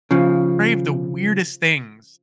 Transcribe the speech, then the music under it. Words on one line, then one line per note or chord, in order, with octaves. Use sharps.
crave the weirdest things,
C#3 F3